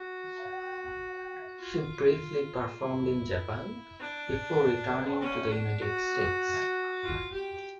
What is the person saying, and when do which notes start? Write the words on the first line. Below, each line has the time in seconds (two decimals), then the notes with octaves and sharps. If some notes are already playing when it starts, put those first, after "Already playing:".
She briefly performed in Japan before returning to the United States.
Already playing: F#4
1.59 F4
2.80 E4
4.01 D4
5.21 C#4
5.51 D4
5.82 F#4
7.03 F4
7.33 G4